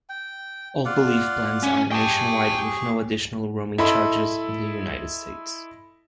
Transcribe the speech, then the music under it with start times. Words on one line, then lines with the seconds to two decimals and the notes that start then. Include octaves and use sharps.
All Belief plans are nationwide with no additional roaming charges in the United States.
0.09 G5
0.85 F4 D5 F#5
1.63 C#4
1.92 G4 G#4 G5 A5 C#6
3.78 E4 A4 D#5 B5 C6